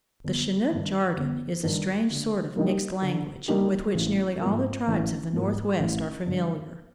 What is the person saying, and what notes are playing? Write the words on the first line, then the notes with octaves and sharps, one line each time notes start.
The "Chinook" jargon is a strange sort of mixed language with which nearly all the tribes of the Northwest are familiar.
G1
G2 D#3
G1
G2 D#3
D3
G3 A#3 D#4 G4
D3
G3 A#3 D#4 G4
A1
G#2 F3 A#3
A1
G#2 F3 A#3
A1
G2 D3